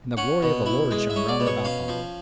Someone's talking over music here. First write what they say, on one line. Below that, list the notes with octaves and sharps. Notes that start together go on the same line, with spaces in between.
And the glory of the Lord shone round about them!
C#4 F#5
B2
E4
G#3
E5
C#4
D5
B2
C#5
C#4 F5
F3